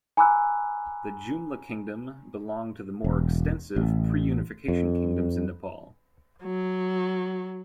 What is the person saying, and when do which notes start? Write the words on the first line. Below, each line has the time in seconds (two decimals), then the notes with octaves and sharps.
The Jumla Kingdom belonged to the more extensive pre-unification kingdoms in Nepal.
0.17 G#5 A#5 B5 D6 E6 F#6
3.04 E1
3.76 A1
4.68 F2
6.43 F#3